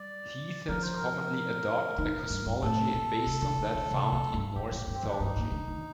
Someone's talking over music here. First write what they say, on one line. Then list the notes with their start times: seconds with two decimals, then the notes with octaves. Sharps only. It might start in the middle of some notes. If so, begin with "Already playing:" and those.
Heathens commonly adopt a cosmology based on that found in Norse mythology.
Already playing: G3 D5
0.68 F3 A#4
0.83 C5
0.96 A#4
1.98 D#3
2.30 G2
2.46 G2
2.62 A2 A4
2.94 A#2
3.26 C3
3.42 D3
3.59 D#3
3.75 D3
3.91 C3
4.12 F2
4.34 G2
4.55 A2 G4
4.71 A2
4.87 G2
4.94 C4
5.03 F2 D4
5.20 G2 D#4
5.36 A#2
5.51 D3
5.67 D#3